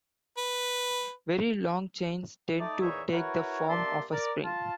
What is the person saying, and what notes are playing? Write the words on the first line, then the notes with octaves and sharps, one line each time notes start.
Very long chains tend to take the form of a spring.
B4
A3 D#4 D5
E2 A#2 E3 D#4 C#5 E5
E4 F#4 A#4 B4 C#5
A#3 D4 G4 E5 A5 C6
A#4 D5
F4 A5